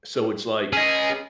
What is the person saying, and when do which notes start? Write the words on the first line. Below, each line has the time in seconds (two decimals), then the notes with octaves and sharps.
so it's like,
0.73 C#4 G#4 D#5